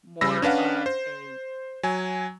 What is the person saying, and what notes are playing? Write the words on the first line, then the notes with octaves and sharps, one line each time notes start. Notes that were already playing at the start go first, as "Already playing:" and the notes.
more of a,
C#3 G3 B5 E6 A#6
C#4 D4 B4 F5 F#5
C5
F#3 G#5